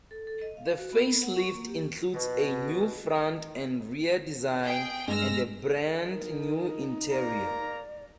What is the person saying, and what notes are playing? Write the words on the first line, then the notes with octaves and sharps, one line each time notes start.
The facelift includes a new front and rear design, and a brand new interior.
A4
A4
D#5
F5
F#4
B3
F#5
C#6
A#3
G4
B2
G#4 G5
G2 G#3 E6 F6 A#6
D#4 A#4
A#3 A#4 D5 A#5